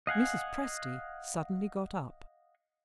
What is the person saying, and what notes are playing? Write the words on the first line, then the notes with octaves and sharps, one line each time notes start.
Mrs. Presty suddenly got up.
D#5 F5 F#5 G#5